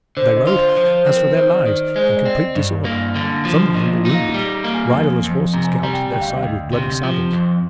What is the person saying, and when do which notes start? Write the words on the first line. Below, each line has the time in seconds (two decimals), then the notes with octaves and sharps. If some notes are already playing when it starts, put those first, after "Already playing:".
They rode as for their lives, in complete disorder; some of them were wounded; riderless horses galloped at their side with bloody saddles.
0.17 D3 C5
0.37 D#5
0.47 F4
0.57 C5
0.77 F3 C5
0.96 C5
1.06 C4
1.16 A#4
1.36 D#3 C5
1.56 D5
1.66 D#3
1.95 G#3 C5
2.16 D5
2.25 C4
2.36 D#5
2.55 G2
2.85 A#3
3.16 D3
3.45 F3
3.75 A#2 D#5
3.95 D#5
4.05 D#4
4.15 F5
4.34 G3
4.54 A#5
4.64 A#3
4.74 G#5
4.94 F2
5.24 F2
5.54 C3 A#5
5.64 G#5
5.74 A#5
5.83 G3
5.93 G5
6.13 D2 G5
6.21 F5
6.29 D#5
6.36 F5
6.43 D2
6.73 C3
7.03 F3
7.33 F2